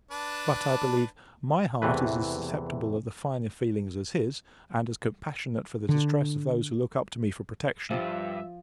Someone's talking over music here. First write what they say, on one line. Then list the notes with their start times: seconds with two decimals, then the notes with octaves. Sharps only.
But, I believe, my heart is as susceptible of the finer feelings as his, and as compassionate for the distress of those who look up to me for protection.
0.11 D4 B4 A5
1.82 E2 C3 E3 A3 B4
5.89 D3
7.91 G2 F3 E5